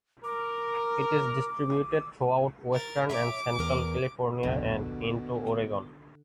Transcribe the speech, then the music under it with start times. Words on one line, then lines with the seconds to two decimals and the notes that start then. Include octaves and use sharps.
It is distributed throughout western and central California and into Oregon.
0.24 A#4 D6
2.73 A#4 A6
3.10 C#5 E5 D6
3.59 E2 A#4
4.43 D1 A#1 F2 B2 D3